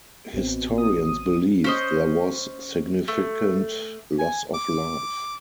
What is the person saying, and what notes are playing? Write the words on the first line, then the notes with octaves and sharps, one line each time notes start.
Historians believe there was significant loss of life.
A1 B2 C4
D#6
C#4 C5 D#5
A3
G#5
D6